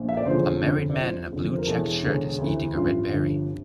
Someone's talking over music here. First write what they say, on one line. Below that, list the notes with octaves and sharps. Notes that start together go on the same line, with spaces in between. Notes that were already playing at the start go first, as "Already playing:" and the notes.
A married man in a blue checked shirt is eating a red berry.
Already playing: A#1 A#2
E5
D5
E1 E2 D3 F3 C5
G1 F2 D3
D5
C2 C3 F3 C5
F1 E2 D3 F3
C5
A#4
E1 E2 E3 A4
E1 E2 D3
D2 C3 E3
A1 G2 F3 F4
G1 G2 D3 F3
C3